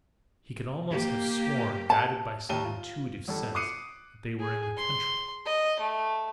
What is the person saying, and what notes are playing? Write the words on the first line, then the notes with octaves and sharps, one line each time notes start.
He could almost have sworn, guided by some intuitive sense, that they were in the country.
A#3 G4
A5
D#2 A5 D#7 G7
F4
G1 A4
D6 D#6 F#6 C7 C#7 D#7
G#4
C6
D#5
A3